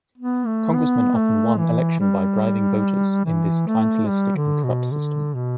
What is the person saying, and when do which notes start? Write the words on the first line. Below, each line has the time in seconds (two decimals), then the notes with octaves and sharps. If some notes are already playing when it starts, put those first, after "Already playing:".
Congressmen often won election by bribing voters in this clientelistic and corrupt system.
0.18 B3
0.46 A3
0.74 B3
1.15 A3
1.58 E3
2.00 G3
3.25 E3
3.67 A3
4.08 G3
4.36 D3
4.64 B2
4.91 D3
5.34 B2